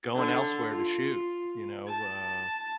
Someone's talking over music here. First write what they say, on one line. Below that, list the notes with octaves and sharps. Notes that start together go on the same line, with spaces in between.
going elsewhere to shoot, you know, uh,
D3
F4
A5